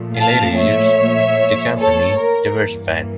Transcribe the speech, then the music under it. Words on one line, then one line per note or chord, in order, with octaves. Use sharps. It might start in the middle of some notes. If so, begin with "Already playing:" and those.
In later years, the company diversified.
Already playing: A#2 F3 A3
F5 A5
C#5 E5
A4 C#5
A#4
G2 E3 A#3